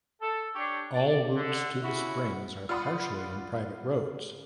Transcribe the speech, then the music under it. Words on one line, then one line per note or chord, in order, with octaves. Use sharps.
All routes to the springs are partially on private roads.
A4
D4 G4 C#5
D5
D3
C#3 E4 F#4
F4 D5 F#5 B5 C6 D#6